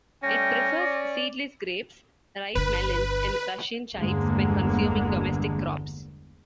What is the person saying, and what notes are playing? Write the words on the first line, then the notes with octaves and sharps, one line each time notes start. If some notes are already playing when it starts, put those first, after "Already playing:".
It prefers seedless grapes, ripe melons and Russian chives when consuming domestic crops.
G3 A3 C#4 G5 A#6
D5
G1 D3 B4
G1 E2 D3 G#3 A#3